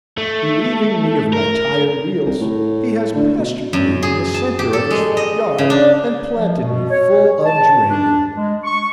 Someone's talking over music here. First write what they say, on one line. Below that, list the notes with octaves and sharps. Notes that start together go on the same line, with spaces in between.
Relieving me of my tired wheels, he has pastured me in the center of his front yard and planted me full of geraniums.
A3
A#4
C2
A2
D3
B2
F#2
G#4
A5
G4
A4
G#3
D#5
C#3
D4
F3
B2
C#5
A5
D4
G#3
C#6